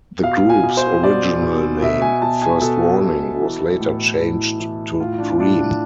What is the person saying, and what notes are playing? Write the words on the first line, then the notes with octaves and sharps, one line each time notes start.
The group's original name, First Warning, was later changed to Dream.
B2 F5
G#5
B2
C5
B2 D5
B2
B2 E5
G#5
B2 A5
G#5
B2 A4
B2
E3
A2
A2
E3
A2 F4
D4
A2 D4
D4